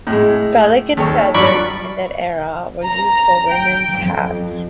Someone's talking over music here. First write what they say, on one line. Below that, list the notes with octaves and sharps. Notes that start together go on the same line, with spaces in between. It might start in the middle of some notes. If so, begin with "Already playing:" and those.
Pelican feathers, in that era, were used for women's hats.
A2 G#3
D#2 A4 C#5
G2 F3 F#3 D5 B5 C#6
A#5
G5
F2